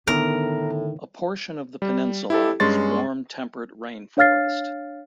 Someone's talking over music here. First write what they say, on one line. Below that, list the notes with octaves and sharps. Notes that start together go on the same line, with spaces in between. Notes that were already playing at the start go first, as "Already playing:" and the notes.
A portion of the peninsula is warm temperate rainforest.
A2 D3 D#3 B3 A#4
G3
E4 G4 A4
G2 G#3 C#4 C6 C#6 A6
D4 C#5 F5 F6 A6 C7